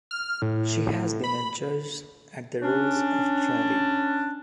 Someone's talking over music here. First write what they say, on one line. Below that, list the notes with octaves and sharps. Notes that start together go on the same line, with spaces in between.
She has been a judge at the Rose of Tralee.
F6
A2
B5
C#4 D4